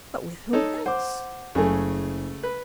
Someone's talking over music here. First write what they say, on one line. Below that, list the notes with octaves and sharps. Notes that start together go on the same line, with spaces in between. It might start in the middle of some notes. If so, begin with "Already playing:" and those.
"But with whom else?"
D#4 A4 C#5
C5 F#5 D6
F#1 C#3 A3 G#5
B4